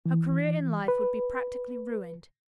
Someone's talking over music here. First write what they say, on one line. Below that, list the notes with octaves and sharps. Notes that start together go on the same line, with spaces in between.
Her career in life would be practically ruined.
E3
B4